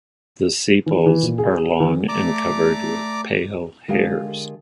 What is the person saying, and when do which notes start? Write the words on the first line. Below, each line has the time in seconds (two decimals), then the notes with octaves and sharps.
The sepals are long and covered with pale hairs.
0.86 E3
1.06 E3
1.23 A#2
1.38 G#4
1.80 E3
2.09 A3 D5 A#5 D6
3.88 D3 G#3 F4 G4 A#4 F5